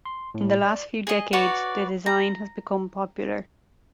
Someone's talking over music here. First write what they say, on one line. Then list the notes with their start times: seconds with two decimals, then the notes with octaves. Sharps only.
In the last few decades, the design has become popular.
0.05 C6
0.34 A2
0.66 D5
1.07 G#4 D#5
1.33 F#4 B4 C#5 D5
2.06 A#5